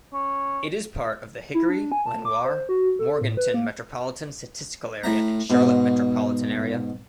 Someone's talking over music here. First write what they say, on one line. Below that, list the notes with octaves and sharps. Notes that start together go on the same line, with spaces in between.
It is part of the Hickory-Lenoir-Morganton Metropolitan Statistical Area and Charlotte Metropolitan Area.
C#4
E4
D4
G#5
A5
D6
C5
F#4
A4
A2
B4
A#3
A2 E5 A#5
G#2 B2